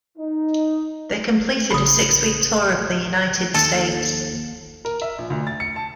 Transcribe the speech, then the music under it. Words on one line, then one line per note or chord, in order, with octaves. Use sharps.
They completed a six-week tour of the United States.
D#4
A1 C#3 B5 D#6
D#2 A4
A#4
E5
A#1
D2
A6
C#7
A5